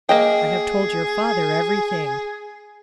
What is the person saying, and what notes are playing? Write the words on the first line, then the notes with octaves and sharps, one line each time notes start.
"I have told your father everything."
A#3 G#4 D#5 G5